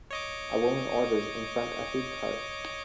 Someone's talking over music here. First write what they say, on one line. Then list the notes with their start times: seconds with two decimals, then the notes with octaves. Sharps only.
A woman orders in front a food cart.
0.10 C#5 D#5 D6